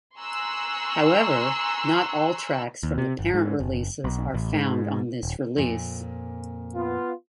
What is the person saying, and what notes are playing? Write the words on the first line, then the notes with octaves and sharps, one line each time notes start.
However, not all tracks from the parent releases are found on this release.
G#5 A#5 C6 C#6 E6 F#6
D#2
C3
G1
G#2
F#1
B1
A1
G#2
D#1
F2 A#2
B3 F4